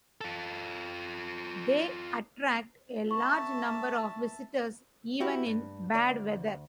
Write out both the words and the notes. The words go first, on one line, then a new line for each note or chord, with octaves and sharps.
They attract a large number of visitors even in bad weather.
F4 A4
E5 A5 C#6
E4 F#4 G4
G2
D2 D5